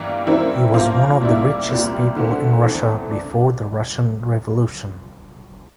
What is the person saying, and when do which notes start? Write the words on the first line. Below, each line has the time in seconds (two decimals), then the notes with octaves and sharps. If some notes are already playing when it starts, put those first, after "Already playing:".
He was one of the richest people in Russia before the Russian Revolution.
Already playing: G2 E3 G3 A#3
0.27 E3 G3 C4 E4 A#4
0.74 F3 A#3 F4 C5
1.21 A#2 G3 A#3 E4
1.69 C2 A#2 G3
2.16 D3 A3 C4
2.63 E2 E3 A3 C4
3.10 D4